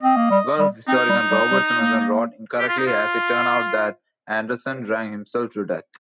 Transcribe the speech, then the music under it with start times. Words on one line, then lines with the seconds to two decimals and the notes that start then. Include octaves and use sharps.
Golf historian Robert Sommers wrote-incorrectly as it turned out-that Anderson 'drank himself to death'.
0.02 C4 D#5
0.17 A#3
0.30 G3
0.59 G3
0.88 C4 D#4
1.09 G3
1.31 G3
1.52 G3
1.73 A#3
2.59 G4
2.68 F4
2.77 D#4
2.86 F4